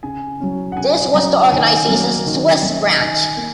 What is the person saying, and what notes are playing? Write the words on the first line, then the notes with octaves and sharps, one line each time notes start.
This was the organization's Swiss branch.
C#3 G#5
F#3 C#4
F#5
C#3 G#5
F#3 C#4 A#5
D#3 G#5
F#3 A#3 C#4
D#3
F#3 A#3 C#4
D#3 G#5
A#3